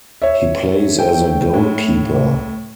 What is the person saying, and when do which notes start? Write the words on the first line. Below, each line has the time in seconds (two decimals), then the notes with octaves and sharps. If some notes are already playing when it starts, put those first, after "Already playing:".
He plays as a goalkeeper.
0.22 C#5 E5
0.99 G5
1.54 A2